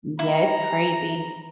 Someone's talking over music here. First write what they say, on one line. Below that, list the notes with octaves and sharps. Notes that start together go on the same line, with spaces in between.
Yeah, it's crazy.
E4 A#5